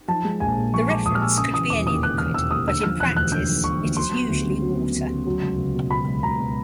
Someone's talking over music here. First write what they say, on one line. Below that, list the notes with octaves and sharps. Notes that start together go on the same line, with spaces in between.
The reference could be any liquid, but in practice it is usually water.
F3 A5
G#3
A#1 G#5
A#2
F3 C#6
G#3 D6
A#1 D#6
F6
A#2 E6
C#3 D#6
E3 D#6
E1 D6
D#2 D#6
C#3 F#6
E3 F6
E1 E6
D#2 D#6
D3 E6
F3 F6
E1 F#6
D2 F#6
D3 G6
F3
E1 C#6
D2
F#3 C6
B3
D2
C#3
F#3
B3
D2
C#3
F#3
C#2
C#2
B2
F#3 B5
C#2
C#2 A#5
B2